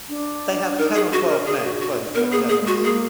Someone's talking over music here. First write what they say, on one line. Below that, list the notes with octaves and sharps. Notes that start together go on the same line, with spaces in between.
They have ten or twelve men clothed like devils.
D4
D#4 A#4
G#4
D4 F#4
A#4
G#4
F#4
F#4
B3 A#4
G#4
A#3
G#4
G#3
F#4
A#3 G#4